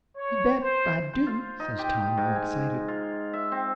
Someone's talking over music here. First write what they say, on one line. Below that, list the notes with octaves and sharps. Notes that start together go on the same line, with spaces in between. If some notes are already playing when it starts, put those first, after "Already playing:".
"You bet I do," says Tom, all excited.
C#5
C5
C5
F4
D#4
G4
G#2
G#5
F4
E5
C4